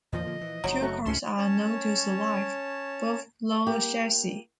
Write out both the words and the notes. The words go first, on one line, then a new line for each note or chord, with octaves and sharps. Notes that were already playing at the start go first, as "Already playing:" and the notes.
Two cars are known to survive, both low chassis.
E2 A#2 D#3 F3 D#5
D3 A#3
E3
F#1 F#3 G#3 D#4
A3 F#4
C#2 G#2 C3 A3 C#4 C6 E7
C#4 C#5 A5
A#3 G4